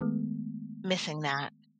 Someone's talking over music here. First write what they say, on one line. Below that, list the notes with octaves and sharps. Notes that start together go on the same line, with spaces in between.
Missing that.
D#3 G#3 A3 B3